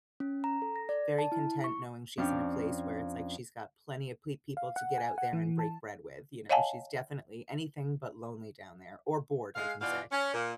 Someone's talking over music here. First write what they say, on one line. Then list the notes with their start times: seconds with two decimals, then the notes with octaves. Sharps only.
very content knowing she's in a place where it's, like, she's got plenty of ple people to get out there and break bread with, you know? She's definitely anything but lonely down there or bored, I can say.
0.20 C#4
0.44 A#5
0.62 A4
0.76 A#6
0.89 D5
1.18 A5
1.32 E4
1.64 C#6
2.18 F2 C#4 D4 F5 G5 C#6
4.57 F5
4.76 F#5
4.98 G#5
5.18 F#5
5.33 E3
5.59 A5
6.49 C#5 D#5 F5 F#5 G#5 A5
9.55 G#3 F5
9.81 B2 E3 F4 F#4 D5 F5
10.11 C#4
10.34 A#2